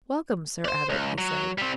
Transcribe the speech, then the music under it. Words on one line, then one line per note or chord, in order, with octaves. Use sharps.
"Welcome, Sir Abbot!" he said.
C5 D5
C#2
F#3
G3 C4